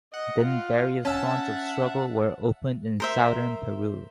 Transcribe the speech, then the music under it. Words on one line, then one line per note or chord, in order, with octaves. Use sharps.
Then various fronts of struggle were opened in southern Peru.
D#5 F#5
F4
C#4 E5 F#5 A5
A#4 C5 E5